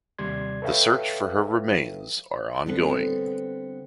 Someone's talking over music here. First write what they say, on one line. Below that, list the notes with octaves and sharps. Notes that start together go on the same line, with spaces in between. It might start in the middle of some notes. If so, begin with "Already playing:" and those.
The search for her remains are ongoing.
D#2 C3 G3 D5 C6 G#6
A4 B4 C#5 E5 F5 G5
D3 G3 B3 C4 A4 B4